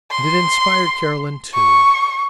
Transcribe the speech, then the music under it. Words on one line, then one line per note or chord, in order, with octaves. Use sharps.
And it inspired Carolyn too.
C6
C#6